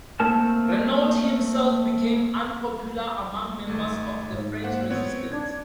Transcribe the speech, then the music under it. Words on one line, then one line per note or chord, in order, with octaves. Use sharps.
Renault himself became unpopular among members of the French resistance.
A3 A#3 C4 A#4 A5
G#1 A3
G#2
A#3 C5 F#5
B3 C4 C#5
D4 G#6